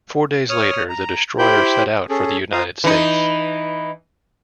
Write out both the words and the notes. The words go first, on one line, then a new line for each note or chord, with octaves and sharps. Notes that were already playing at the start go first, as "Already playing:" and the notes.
Four days later, the destroyer set out for the United States.
C#5 D#6 F6
A#5
E4 G4 C5 G5 B5 G6
C#4 G#4 A4
F4 C5 F5 A#5 D#6
E3 D#4